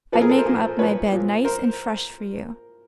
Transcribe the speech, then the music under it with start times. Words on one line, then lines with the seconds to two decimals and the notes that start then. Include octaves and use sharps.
I'd make up my bed nice and fresh for you.
0.12 A#2 F3 A4 B4
0.21 G#4 A#4
0.29 A4 B4
0.38 A#4 C5
0.46 A#2 F3
0.79 A#2 F3 B4 C#5
1.12 A#2 F3
1.45 A#4 C5